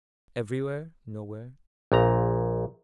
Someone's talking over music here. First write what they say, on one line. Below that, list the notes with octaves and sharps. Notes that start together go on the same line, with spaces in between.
"Everywhere; nowhere."
A#1 A#2 A#5